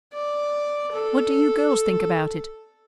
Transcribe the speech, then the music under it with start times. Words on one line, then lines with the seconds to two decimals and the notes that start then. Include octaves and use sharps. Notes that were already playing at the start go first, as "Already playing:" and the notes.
"What do you girls think about it?"
0.14 D5
0.92 A4